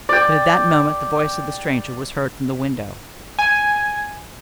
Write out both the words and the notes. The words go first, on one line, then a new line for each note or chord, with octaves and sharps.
But at that moment the voice of the stranger was heard from the window.
D5 G5
G#5